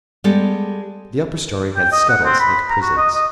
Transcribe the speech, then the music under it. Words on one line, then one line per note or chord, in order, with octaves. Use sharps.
The upper story had scuttles like prisons.
G3 G#3 B3 G4 A4
G5
D#5
F#5
C4
B5
A#5
F#4
D#5
D#5